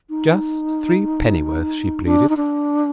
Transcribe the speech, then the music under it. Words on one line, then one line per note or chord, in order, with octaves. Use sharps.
"Just threepennyworth," she pleaded.
D#4
D4
D#4
D4